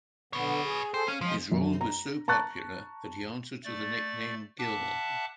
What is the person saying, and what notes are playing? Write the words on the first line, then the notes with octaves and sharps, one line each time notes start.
His role was so popular that he answered to the nickname "Gil".
D3 B3 B4 C#5
G#4
G#4 A4 C5 G5
C#4 F5
F3 G#3
F#2
A#5
A5 A#5 C#6 F#6 A6
A3 D5 A6
E5 F#5 A5 D6 F#6